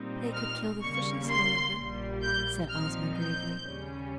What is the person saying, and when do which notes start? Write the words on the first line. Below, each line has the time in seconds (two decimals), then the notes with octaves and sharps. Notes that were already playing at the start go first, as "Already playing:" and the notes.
"They could kill the fishes, however," said Ozma gravely.
Already playing: A#2 G3 C4 D#4
0.34 F6
0.82 D#2 C#3 G3 A#3 C#6
1.29 C6
1.76 A#1 A#2 G3
2.23 G6
2.69 A#2 F3 C4 D#4 F6
3.16 G6
3.64 D#2 C#3 G3 C#4